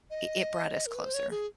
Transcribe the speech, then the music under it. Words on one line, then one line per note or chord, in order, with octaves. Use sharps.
it it brought us closer.
D#5
A#4
B4
C5
C#5
G#4